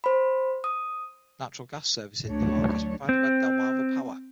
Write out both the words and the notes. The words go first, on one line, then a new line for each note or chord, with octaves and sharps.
Natural gas service in Newark is provided by Delmarva Power.
C5 B5
D#6
D2 F#3 A3 D4 C#5
C4